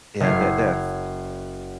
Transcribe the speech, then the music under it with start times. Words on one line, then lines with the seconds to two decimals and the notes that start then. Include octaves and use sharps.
Yeah, that th yeah
0.20 F#1 C#4 G#6 C7